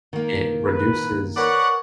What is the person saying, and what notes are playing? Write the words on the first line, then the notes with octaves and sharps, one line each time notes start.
it reduces
D#3 A#3
B4
A#4 B4 C#5 D5 F#5